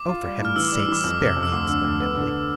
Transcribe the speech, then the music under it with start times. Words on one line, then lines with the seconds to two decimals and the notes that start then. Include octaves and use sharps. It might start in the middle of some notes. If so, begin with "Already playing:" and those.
'Oh, for Heaven's sake, spare me!' exclaimed Emily.
Already playing: D6
0.09 F4
0.24 G3
0.40 A2
0.45 F6
0.56 E3 E6
0.68 D6
0.72 G3
0.80 E6
0.88 E3 D6
1.04 F2 E6
1.21 C3
1.36 F2
1.43 E6
1.52 D2 D6
1.69 D3
1.84 D2
2.00 B3
2.17 D3